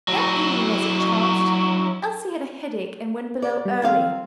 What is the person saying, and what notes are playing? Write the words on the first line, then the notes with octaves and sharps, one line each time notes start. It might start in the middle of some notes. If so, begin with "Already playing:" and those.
That evening, as it chanced, Elsie had a headache and went below early.
F#3 E4
D5
G3
D#3 C4 F5